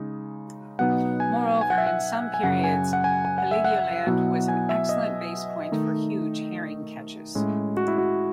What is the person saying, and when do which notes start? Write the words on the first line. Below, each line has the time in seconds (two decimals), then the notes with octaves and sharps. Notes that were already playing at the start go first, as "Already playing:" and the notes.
Moreover, in some periods Heligoland was an excellent base point for huge herring catches.
Already playing: C#3 G#3 D#4
0.79 B2 F#3 B3 D#4 F#5
1.20 G#5
1.61 G#5
1.70 F#5
1.78 E5
1.87 F#5
2.34 G#5
2.43 F#2 C#3 F#3 F#5
2.64 G#5
2.93 F#5
3.04 G#5
3.25 G#5
3.38 F#5
3.51 E5
3.65 F#5
4.07 B2 F#3 B3 E4
4.48 G#5
4.69 E5
4.89 D#5
5.72 D#3 A3 D#4
7.35 A2 G#3 C#4 E4
7.77 F#4
7.88 E4
7.98 F#4